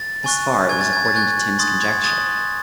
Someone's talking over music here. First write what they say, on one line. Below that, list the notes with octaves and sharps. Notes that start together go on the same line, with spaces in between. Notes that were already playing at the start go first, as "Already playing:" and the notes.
Thus far it was according to Tim's conjecture.
Already playing: A6
G#5 C#6 F#6
G#5 C#6 F#6 G#6
A6
G#6
A6
G#5 C#6 F#6 G#6
C6 D#6 F#6 A6
G#6
C6 D#6 F#6 A6